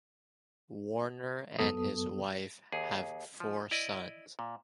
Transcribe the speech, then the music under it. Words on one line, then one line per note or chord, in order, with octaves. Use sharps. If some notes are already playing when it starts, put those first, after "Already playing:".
Warner and his wife have four sons.
F#2 F#3 B3 A4 D#6
D#2 G#4
F3
E4 D5 D#5
A#2